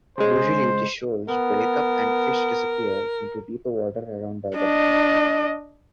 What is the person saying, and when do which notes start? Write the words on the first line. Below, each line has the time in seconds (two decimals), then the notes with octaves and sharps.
Usually the shoals break up and the fish disappear into deeper water around Durban.
0.18 C#3 G#3 C5
1.28 B3 A#4
4.57 D4 D#5